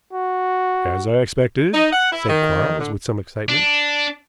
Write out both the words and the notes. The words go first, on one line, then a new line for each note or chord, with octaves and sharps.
"As I expected," said Quarles, with some excitement.
F#4
D#4
F#5
E4
D#3
D3
D4